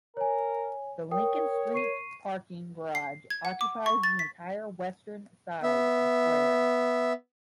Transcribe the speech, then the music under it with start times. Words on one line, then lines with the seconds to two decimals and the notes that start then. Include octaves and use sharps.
The Lincoln Street Parking Garage occupies the entire western side of the square.
0.17 A#4 C#5 G#5
1.11 A#4 C#5 G5 D#6
1.74 C#6 C7 D#7
2.95 C7
3.30 G#6
3.45 F#5
3.61 D6
3.86 C#6
4.03 A6
4.19 B6
5.63 B3 E5